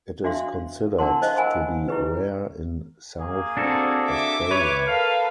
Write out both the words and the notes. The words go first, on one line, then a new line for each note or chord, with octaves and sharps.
It is considered to be rare in South Australia.
D4 F#4 E5 F5 C6
D4 E4 A#4 F#5 A5 C6
C5 D#5 F5
A#4 F#5 G#5 B5 C6
E4 G4 B4
A#3 G#4
C4 D4 F#4 A4
E5 D6
B4 C#5
A4 A#4 F5